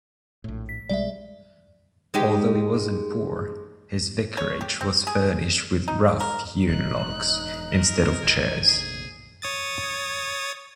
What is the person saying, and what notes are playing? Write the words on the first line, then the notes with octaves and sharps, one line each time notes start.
Although he wasn't poor, his vicarage was furnished with rough-hewn logs, instead of chairs.
A#1 A2
B6
B1 G3 G#3 D5 E5
G#3 D#4 G4
C#5
G4
C4
G#4
D#4
A#4
E1 A2 D#4 F#6
A#4
F1 A#1 D3 G#5
G#4
C#5 D#6 A6